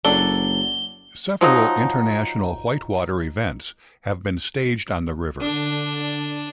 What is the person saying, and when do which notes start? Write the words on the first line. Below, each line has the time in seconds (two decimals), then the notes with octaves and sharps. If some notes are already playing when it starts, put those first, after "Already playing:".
Several international whitewater events have been staged on the river.
0.05 F#1 F#3 D4 A4 G7
1.41 F3 F#3 D#4
5.41 D3 D4